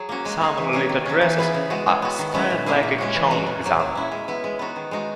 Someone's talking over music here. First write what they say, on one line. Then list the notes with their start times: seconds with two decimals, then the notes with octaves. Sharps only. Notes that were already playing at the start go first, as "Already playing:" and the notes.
Some Lolita dresses are styled like a cheongsam.
Already playing: F#3 G#4
0.09 A#3 C#4 F#4
0.25 G#3
0.41 D#4 G#4
0.58 E3
0.73 A#3 C#4 G#4
0.89 D#3
1.06 F#3 C#4
1.21 E3
1.39 B3 E4 G#4
1.54 C#3
1.70 G#3 B3 F#4
1.87 G#3
2.02 B3 F#4
2.19 D#3
2.34 G#3 C#4 E4
2.50 A#2
2.66 A#3 C#4 E4 G#4
2.83 A#2
2.98 G#3 C#4 F#4
3.15 E3
3.30 G#3 C#4 F#4
3.47 A#2
3.64 F#3 A#3
3.80 F#3
3.95 C#4 E4
4.12 G#3
4.28 B3 E4
4.44 G#3
4.59 B3 D#4 F#4
4.76 D#3
4.91 G#3 D#4 F#4